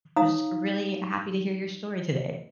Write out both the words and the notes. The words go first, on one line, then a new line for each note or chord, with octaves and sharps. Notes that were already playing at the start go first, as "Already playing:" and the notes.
was really happy to hear your story today.
D#4 C#5 F5 A#5 D#6